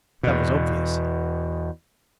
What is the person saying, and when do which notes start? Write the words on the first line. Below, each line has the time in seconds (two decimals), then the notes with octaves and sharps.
That was obvious.
0.23 E2 B2